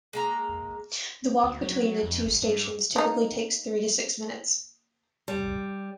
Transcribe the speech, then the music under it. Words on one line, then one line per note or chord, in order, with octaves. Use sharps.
The walk between the two stations typically takes three to six minutes.
G#3 A#3 A#5
D2
F#3
F#3
F2
G1
G2
A#3 D#4
G3